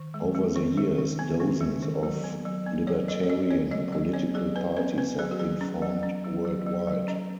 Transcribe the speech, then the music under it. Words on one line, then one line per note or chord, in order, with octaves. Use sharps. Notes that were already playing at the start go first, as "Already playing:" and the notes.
Over the years, dozens of libertarian political parties have been formed worldwide.
Already playing: D#3
G#3
G#3
D#3
G#3
D#3
B3
D#3
G#3
D#3
F#3
B3
F#3
B3
F#3 C#5
F#3 D#5
C#5
F#3 D#5
B3 C#5
F#3 D#5
F#3 D#5
B3 C#5
F#3 G#4
B3 B4
B3 B4
B3 B4
F#3 G#4
F#4
F#3 G#4
C#4
F#3
C#4
F#3
F#3
F#3
F#3
C#4 D#5